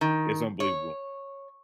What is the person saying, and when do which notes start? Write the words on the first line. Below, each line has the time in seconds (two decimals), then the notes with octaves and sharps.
it's unbelievable,
0.01 D#3
0.60 C#5